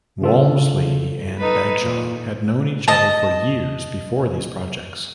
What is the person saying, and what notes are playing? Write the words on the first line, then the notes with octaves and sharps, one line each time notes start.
Walmsley and Bagshaw had known each other for years before these projects.
C#3 F4 A4
D#4 A4 B4
A#2
D#5 A5